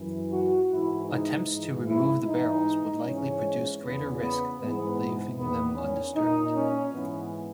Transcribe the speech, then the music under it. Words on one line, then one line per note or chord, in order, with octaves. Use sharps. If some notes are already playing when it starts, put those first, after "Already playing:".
Attempts to remove the barrels would likely produce greater risk than leaving them undisturbed.
Already playing: F#2 E3
F#4
G#2 E3 E4
D#4
G#2 E3
E4
G#2 E3 D#4
G#2 E3 C#4
E2 C#3 E3 B3
B3
G#2 E3 B3
E2 D#3 B3
C#4
A#2 D#4
C#4
G#2 E3 B3